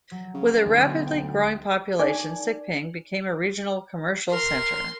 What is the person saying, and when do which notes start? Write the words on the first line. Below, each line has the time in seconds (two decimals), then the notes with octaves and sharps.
With a rapidly growing population, Siping became a regional commercial center.
0.11 F#3
0.34 C#3
0.65 A1 D2
0.87 B2
1.06 B1 G5
1.21 D2
1.99 D#4 A#4 D5 G#5 D6
4.32 A#4 C6